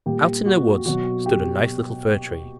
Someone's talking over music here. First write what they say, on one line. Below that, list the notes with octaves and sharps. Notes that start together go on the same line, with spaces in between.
Out in the woods stood a nice little Fir Tree.
A#2 G3 G4
F#4
B2 F#3 F#4
G4